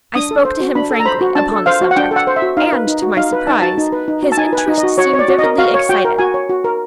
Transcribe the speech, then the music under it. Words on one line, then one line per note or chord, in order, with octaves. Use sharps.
I spoke to him frankly upon the subject; and, to my surprise, his interest seemed vividly excited.
D4 D#6
A4
C5
F#4
D4 B5
A4
A#5
C5 B5
F#4
D4 A5
A4
C5 F5
F#4
F#5
D4 G5
A4 F#5
C5
E5
F#4
D#4 F5
B4
D#4
F#4
D#4 F5
B4
D#4 A5
F#4 A5
D#4
B4
D#4
F#4
A5
D#4 G#5
B4
G#5
D#4
D#5
F#4
F#4 C#5
C#5
D5
F#4
D#5
A#4
F#4 F5
C#5
F#4 G5
A#4
F#4 G#5
C#5
F#4
A#4